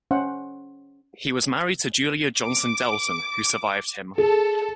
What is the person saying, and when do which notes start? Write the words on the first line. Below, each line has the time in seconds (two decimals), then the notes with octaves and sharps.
He was married to Julia Johnson Dalton, who survived him.
0.11 C#4 C5 F#5
2.40 D6
4.18 G#4 A4